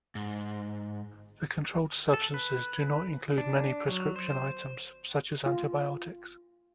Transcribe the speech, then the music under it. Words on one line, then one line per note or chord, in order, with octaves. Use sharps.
The controlled substances do not include many prescription items such as antibiotics.
G#2
A4
B4
D4
F#3
C5
F4